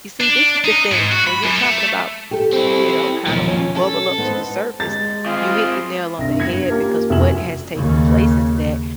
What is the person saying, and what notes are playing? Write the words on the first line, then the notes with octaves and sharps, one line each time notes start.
You see, this is the thing, when you're talking about, m you know, kind of bubble up to the surface you hit the nail on the head because what has taken place is that
D4
D#4
G#2
F#4
B5
F#2
A3
G4 A4
C4 E4
D#2 B2 F3 F#3
C#4
A4
B3 D#4 C5
G#3 A6
C4 F4 G#4
C2 G2 A#6
F#1 G2 B3 G#6 A#6 C#7
A#3 C#4 F4 G4 A#4
F1 B3 F#4 E5 G#5 F#7
D#2 C#3